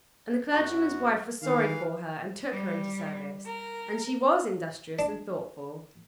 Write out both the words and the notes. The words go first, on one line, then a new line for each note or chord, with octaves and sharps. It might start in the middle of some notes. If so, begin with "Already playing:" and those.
And the clergyman's wife was sorry for her and took her into service; and she was industrious and thoughtful.
F#2 F#4
D#3 E3 F5
G3
A#4
D4